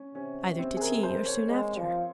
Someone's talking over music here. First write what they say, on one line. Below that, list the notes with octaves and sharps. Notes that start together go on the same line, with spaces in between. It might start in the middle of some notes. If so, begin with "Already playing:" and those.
'Either to tea or soon after.
Already playing: C#4
C3 C#4
C4
G#4
A#4
C5
C#5
G#3
F3